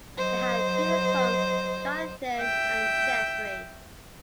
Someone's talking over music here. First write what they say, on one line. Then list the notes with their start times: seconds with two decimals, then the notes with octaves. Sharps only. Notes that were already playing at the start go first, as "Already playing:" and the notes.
They had two sons Jonathan and Jeffrey.
0.16 F#3 C5 D#5
2.38 E5 G5